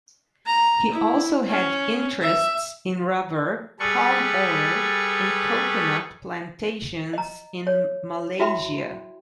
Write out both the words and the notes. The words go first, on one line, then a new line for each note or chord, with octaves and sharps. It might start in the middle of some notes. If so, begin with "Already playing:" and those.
He also had interests in rubber, palm oil and coconut plantations in Malaysia.
A#5
E4
C#4
E5
G3 G#4 A4 B4 C#6
D#5 A#5
C#5
E4 F#4 E5 G5 B5 C6